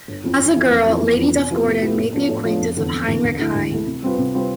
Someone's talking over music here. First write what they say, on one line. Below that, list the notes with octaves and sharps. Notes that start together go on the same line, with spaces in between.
As a girl Lady Duff-Gordon made the acquaintance of Heinrich Heine.
G1
F2 E3
G1
F2 E3
F1
F2 E3 B3
F1
F2 E3 B3
C3
F3 B3 E4 G4
C3
F3 B3 E4 G4
A2
F3 B3 D4
A2
F3 B3 D4
F1
E2 D3
F1
E2 D3
D2
D3 A3 E4
D2
D3 A3 E4
C3
G3 C4 F4 B4
C3
G3 C4 F4 B4